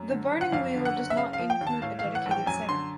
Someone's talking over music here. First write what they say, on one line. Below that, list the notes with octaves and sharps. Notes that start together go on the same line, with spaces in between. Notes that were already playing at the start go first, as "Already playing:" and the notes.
"The Burning Wheel" does not include a dedicated setting.
Already playing: F#2
D3
F#1
F#5
F2 F5
D3
F#5
F#1
E5
C#3 F5
F5
F3
G5
D#2
A5
A2 F5
F5
E3
F#5
A#1
G5
F#2 G#5
D3 C6